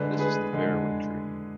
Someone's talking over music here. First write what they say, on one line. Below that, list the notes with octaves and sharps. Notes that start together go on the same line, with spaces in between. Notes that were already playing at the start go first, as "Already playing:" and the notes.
This is the Faraway Tree.
Already playing: D3 G#3 B4 D5
G#4 B4
D3 G#3